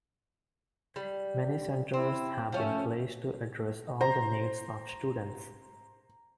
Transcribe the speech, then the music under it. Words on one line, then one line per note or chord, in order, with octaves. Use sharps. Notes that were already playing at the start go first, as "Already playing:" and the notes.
Many centers have been placed to address all the needs of students.
G3
C4 E4
F3 A3 C#4
C5 A#5